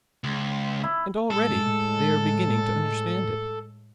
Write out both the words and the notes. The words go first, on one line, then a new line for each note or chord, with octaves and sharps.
And already they are beginning to understand it.
C#2
E4
A2 G#3 A4